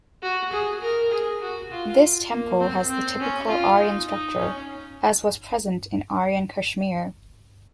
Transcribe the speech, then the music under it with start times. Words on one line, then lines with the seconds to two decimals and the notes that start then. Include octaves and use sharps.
This temple has the typical Aryan structure as was present in Aryan Kashmir.
0.22 F#4
0.52 G#4
0.81 A#4
1.12 G#4
1.42 F#4
1.71 F4
2.30 A#3
2.60 C4
2.89 C4
3.20 C#4
3.49 F4
3.79 D#4
4.08 D#4
4.38 C#4